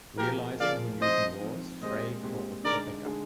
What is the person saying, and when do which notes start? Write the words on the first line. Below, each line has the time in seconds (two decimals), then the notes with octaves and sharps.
Realizing who Newton was, Frey called for backup.
0.17 F3 A#3 F4 G4 G#4 A#4
0.58 F3 A#3 F4 G#4 D5 F5
0.99 G#2 F3 C4 C5 D#5
1.41 G#2 F3 C4
1.82 A#2 G#3 C4 G4 C5 D#5
2.23 A#2 G#3 C4 G4
2.64 D3 G#3 D#4 G#4 A#4 D5
3.05 D3 G#3 D#4 G#4